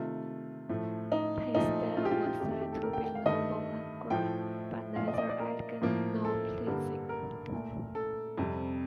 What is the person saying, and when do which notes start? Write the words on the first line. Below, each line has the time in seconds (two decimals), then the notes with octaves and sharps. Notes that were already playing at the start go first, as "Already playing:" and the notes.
His style was said to be noble and grand, but neither elegant nor pleasing.
Already playing: C3 D#3 A3 F4
0.69 A2 F3 A3
1.12 D#4
1.55 A#2 F3 A3 D#4
1.97 F4
2.05 G4
2.11 F4
2.26 F4
2.40 F2 D#3 A3 G4
2.51 G4
2.61 G4
2.73 A4
2.83 A#4
2.93 G5
3.04 G5
3.15 F5
3.25 G2 D#3 A3 D#5
4.10 A2 F3 A3 G5
4.96 A#2 F3 A3 F5
5.08 D#5
5.13 D5
5.18 D#5
5.29 D5
5.40 A#4
5.82 A2 F3 A#3
6.25 A4
6.67 G2 D3 G3 A#3
7.09 A#4
7.53 A#2 A3
7.95 A4
8.38 F2 C3 G3